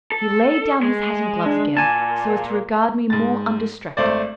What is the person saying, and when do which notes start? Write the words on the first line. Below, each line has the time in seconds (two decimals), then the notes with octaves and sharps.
He laid down his hat and gloves again, so as to regard me more undistracted.
0.12 A4
0.83 G#3
1.46 D4
1.77 A#2 G#5 A5
3.10 G#2 A6
3.97 G#1 A3 C5 D5